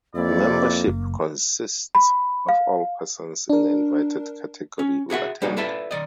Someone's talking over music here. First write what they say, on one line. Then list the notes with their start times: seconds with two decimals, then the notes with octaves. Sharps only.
"Membership" consists of all persons in the invited category who attend.
0.15 F2 A#3 E4 D5
0.87 F#1
1.95 B5
2.49 F5
3.50 D4 A#4
4.79 C#4
5.10 F#4 G#4 E5 F#5
5.42 G3 G#3 A#3 D#4 F#4
5.57 E4 A4 B4 D5 E5
5.91 D#3 D5 D#5